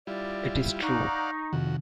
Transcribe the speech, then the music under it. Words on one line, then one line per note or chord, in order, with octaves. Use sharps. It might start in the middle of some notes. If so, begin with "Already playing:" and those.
It is true.
G3 E4 F4 D5
D#4 D5 F5 F#5 C#6
F2 C3 D#3 F#4